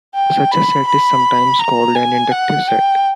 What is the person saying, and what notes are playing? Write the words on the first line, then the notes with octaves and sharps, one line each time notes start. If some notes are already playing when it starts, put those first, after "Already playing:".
Such a set is sometimes called an inductive set.
G5
B5
B5
A#5
G#5
F#5
G5